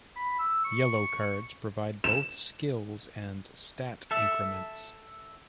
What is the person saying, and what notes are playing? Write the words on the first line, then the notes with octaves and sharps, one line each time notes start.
Yellow cards provide both skills and stat increments.
B5
E6
C#6
E7
A4 E5